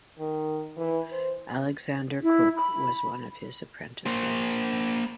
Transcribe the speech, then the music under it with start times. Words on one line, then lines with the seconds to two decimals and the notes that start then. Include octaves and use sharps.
Alexander Cooke was one of his apprentices.
0.19 D#3
0.77 E3
1.12 C5
2.23 E4
2.56 B5
4.06 A#3 C5